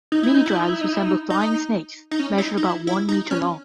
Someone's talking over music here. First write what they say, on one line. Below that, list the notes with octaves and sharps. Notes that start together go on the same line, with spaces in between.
Minidrags resemble flying snakes, measure about one meter long.
D#4
E4
D#4
E4
D#4
E4
D#4
E4
D#4
D#4
D#4
C#4
E4
D#4
D#4
E4
E4
D#4
C#4